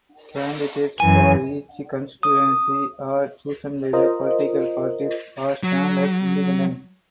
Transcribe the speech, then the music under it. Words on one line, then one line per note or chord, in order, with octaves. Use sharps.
Candidates for each constituency are chosen by the political parties or stand as independents.
F#2 E3 G#5
D#6
F4 A#4 C5 D#5
F#3